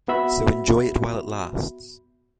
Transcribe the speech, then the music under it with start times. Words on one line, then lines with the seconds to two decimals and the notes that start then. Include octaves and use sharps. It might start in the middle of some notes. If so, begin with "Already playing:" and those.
So enjoy it while it lasts.
0.08 B3 F#4 E5 B5